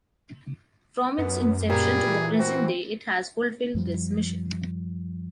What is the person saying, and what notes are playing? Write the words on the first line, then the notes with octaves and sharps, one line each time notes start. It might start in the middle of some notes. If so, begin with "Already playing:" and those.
From its inception to the present day it has fulfilled this mission.
F#2 B3
A#2 G3 G#4
E3
C4 F#4
F#2 F3 G3